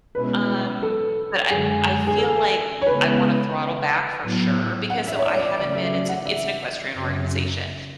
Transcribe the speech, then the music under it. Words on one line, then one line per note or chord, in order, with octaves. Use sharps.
um, but I'm I feel like I wanna throttle back for sure because so, I haven't been it's an it's an equestrian organization.
B2 G#3 C#4 E4 B4
A4
F#2 D3 G#3 G#4
G#4
A4
C#5
C#3 G#3 B3 E4 B4
A2 F#3 B3 E4
F#5
E5
C#5
D5
C#5
D5
C#3 F#3 A3 C#4 D5
E5
D5
F#5
E5
F#2 C#3 F#3 C#4